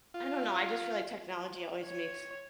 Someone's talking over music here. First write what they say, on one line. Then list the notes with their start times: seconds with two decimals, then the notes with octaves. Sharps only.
I don't know, I just feel like technology always makes
0.14 F4
1.86 C#5